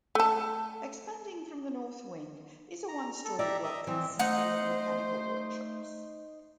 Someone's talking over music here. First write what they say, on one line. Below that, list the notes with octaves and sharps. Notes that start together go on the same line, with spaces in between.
Expanding from the North Wing is a one-story block consisting of mechanical workshops.
A3 A4
A#5
A4
G4 D5 E5 A#5
D#5 E5
E3 C4
A3 D#4 C5 D#5 F#5